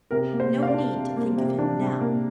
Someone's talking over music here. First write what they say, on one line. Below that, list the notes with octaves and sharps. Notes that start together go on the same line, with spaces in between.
No need to think of him now.
C3 A#4
A#3
C5
C3
F5
D5
D4
C3
A#3
C3
D4
C3
A#3